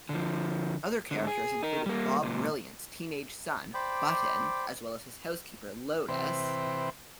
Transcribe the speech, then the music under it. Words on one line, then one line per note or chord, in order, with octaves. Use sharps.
Other characters included Bob Brilliant's teenage son, Button, as well as his housekeeper, Lotus.
D3 F3
G#2 D3
G#4
D#4 A#4
G3 A#3
C#2 A#2
C5 D5 G5 B5 D6
C3 E3 C4 B4